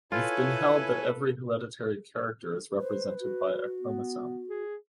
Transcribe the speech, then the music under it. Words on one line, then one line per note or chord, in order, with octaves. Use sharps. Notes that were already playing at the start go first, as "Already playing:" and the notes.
It has been held that every hereditary character is represented by a chromosome.
E4 F4 A4 B4 C#5 G#5
B4 C5
F#4
B3
G#4